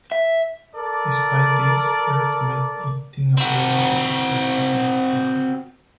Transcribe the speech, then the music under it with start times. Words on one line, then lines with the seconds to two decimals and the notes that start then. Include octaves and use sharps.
Despite this, Baird made eighteen appearance in his first season at Fulham.
0.12 E5
0.76 A4 A#4 D5
3.37 C4 F#4